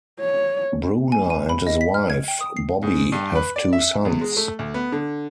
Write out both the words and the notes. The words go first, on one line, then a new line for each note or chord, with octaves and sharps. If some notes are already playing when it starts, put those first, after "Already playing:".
Bruner and his wife, Bobbie, have two sons.
C#5
G#5
D#7
B5
D#5
B6
F6
G#6
G5
D#6
C7
G#2
G2
B4
D5
E5
E2
G#3
A3
D2
B3
D3